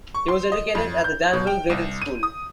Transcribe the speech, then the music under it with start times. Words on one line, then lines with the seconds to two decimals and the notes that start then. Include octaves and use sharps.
He was educated at the Danville Graded School.
0.15 C#6
0.28 C6
0.52 D#5
0.75 F2
1.04 G6
1.33 B2
1.47 G5
1.70 C2
2.02 D#7
2.23 D#6